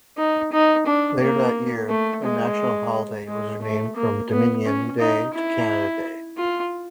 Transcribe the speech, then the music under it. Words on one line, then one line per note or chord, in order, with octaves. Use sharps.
Later that year, the national holiday was renamed from Dominion Day to Canada Day.
D#4
D#4
D4
A#3
A3
G#3
G#3
A3
A#3
B3
C#4
D#4
E4
F4